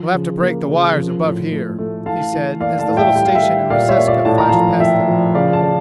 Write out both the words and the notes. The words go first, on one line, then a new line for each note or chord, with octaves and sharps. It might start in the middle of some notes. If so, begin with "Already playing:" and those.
"We'll have to break the wires above here," he said as the little station in Reseca flashed past them.
Already playing: F3
C#3
A#3
C#3
F3
A2
A3
A3
E3 F5 A5
E3
A#3 D5 F5
F5 A5
A2
E5 G5
G3 G5
F5
E5 G5
G3
A#2 D5 F5
C#5 E5
A#2
D5 F5
A2 A5
A#5
F3 F5 A5
F3 E5 G5
F3
C#3 D5 F5
F5 A5
C#3